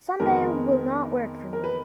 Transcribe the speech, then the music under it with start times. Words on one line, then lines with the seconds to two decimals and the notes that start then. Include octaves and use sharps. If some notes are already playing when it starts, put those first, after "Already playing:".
Sunday will not work for me.
0.20 F2 D#3 G#3 B3 A#4
1.53 A#4
1.64 B4